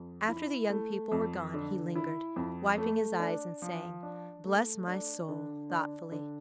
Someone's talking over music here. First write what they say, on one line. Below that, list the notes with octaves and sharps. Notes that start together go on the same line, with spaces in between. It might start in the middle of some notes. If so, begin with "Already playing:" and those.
After the young people were gone he lingered, wiping his eyes, and saying, "Bless my soul!" thoughtfully.
Already playing: F2
E4
A3
F2
D3
E4
F2
A3
D4
F3
D4
A3
D4
D3
D4
D3